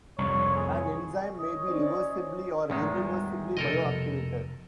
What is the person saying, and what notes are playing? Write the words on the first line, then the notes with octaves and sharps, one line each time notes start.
An enzyme may be reversibly or irreversibly bioactivated.
C2 F2 C#5
G#4
C#5 D#5 D#6
C#4 C5 D5
E2 A2 D#3 G#3
G3
F1 B2 A4 A#4 D#5